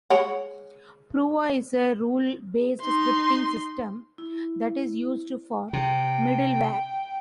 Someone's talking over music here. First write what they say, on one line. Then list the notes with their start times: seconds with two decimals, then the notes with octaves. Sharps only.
Prova is a rule-based scripting system that is used for middleware.
0.10 G#3 C#5 F#5
2.81 D#4 C6
4.18 E4
5.73 C3 G5